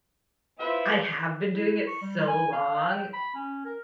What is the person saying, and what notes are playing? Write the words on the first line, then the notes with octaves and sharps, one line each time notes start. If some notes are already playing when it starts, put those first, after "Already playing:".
I have been doing it so long,
E4 F4 B4 C5 E5
E4
C#6
G3
G#5
F5
G5
B5
C#4
A#4